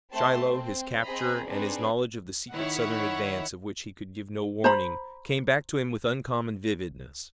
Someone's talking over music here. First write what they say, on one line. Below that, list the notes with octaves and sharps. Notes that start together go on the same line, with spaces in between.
Shiloh, his capture, and his knowledge of the secret Southern advance, of which he could give no warning, came back to him with uncommon vividness.
A3 C4 A5 C6
C4
C4 G#4 D#5 A#5 B5
C4 D4 D#4 G#4 B4
D#3 E4 C#5 E5 F#5
C5 A#5 B5